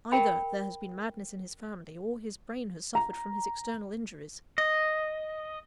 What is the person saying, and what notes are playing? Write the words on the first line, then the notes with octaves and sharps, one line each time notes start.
Either there has been madness in his family, or his brain has suffered from his external injuries.
A#4 G5 B5
A#5
D#5